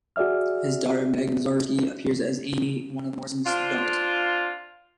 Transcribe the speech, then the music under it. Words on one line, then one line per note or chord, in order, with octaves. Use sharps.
His daughter Meg Mazursky appears as Amy, one of Morrison's daughters.
F#4 G#4 D5 E5 F6
C4 D4 F4